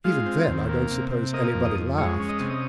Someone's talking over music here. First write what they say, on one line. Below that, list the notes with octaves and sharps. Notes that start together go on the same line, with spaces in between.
"Even then I don't suppose anybody laughed."
G#3 F4
C4
D#2
A#3
C3
C3
A#3 D#5
F2
D#5
F2
G#3 C#5
C#4
D#5
C3
D#5